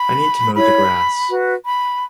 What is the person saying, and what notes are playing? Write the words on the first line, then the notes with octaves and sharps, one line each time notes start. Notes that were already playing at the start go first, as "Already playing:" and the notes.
I need to mow the grass.
Already playing: B5
E4 C#5 B5
F#4 B4
B5